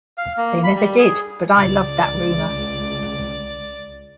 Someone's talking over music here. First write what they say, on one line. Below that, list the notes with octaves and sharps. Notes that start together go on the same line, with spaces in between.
They never did, but I loved that rumor.
F5
A#3
B5
G3
G#4
C#2 D5